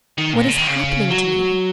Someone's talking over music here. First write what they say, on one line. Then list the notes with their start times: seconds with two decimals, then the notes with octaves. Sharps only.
What is happening to me?
0.18 D#3
0.33 A#2
0.49 C#3
0.58 D#3
0.67 C#3
1.10 F#3